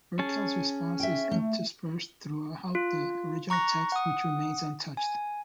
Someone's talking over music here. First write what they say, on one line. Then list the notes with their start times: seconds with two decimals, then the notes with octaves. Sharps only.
Birkel's response is interspersed throughout the original text, which remains untouched.
0.19 C#4 G#4 A5
1.00 E5 G5
1.31 A3
2.75 F4
3.50 A#5 C#6 F#6 A#6
3.92 F#5 D#6
4.97 G#5